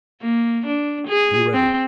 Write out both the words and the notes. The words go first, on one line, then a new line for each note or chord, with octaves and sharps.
Be ready.
A#3
D4
G#4
C4